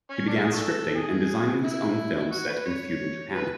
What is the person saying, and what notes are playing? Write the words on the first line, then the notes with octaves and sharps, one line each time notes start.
He began scripting and designing his own film set in feudal Japan.
C#4
D4
E4
G#4
D4 F#4 A4
G#4
E4
F#4
B4
C#5
B4